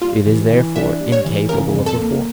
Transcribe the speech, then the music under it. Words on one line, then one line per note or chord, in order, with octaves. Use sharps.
It is, therefore, incapable of reform.
G3 F4
E3
E3
D4 E5
G3
C#5
E3
C#3 A#4
F2
A4
A#3